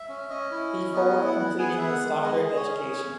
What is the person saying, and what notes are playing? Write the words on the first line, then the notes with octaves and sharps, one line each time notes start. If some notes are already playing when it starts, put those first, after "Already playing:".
Before completing his Ed.D.
Already playing: E5
C#4
C#4 D#5
E4
C#4
B3 D#5
E4
F#5
B3
G#4 G#5
F#5
B3 E5
F#5
G#3
G#4 D#5
G#4
C#5
C#4
G#4